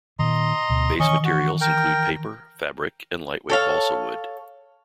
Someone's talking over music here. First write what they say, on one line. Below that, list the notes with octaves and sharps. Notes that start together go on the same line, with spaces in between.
Base materials include paper, fabric, and lightweight balsa wood.
A#2 D#3 D#5 A#5 C6
D2 B2
D#3 E3 C#4 D#5 C#6
F#4
A#4 G5
A4 C#5 F5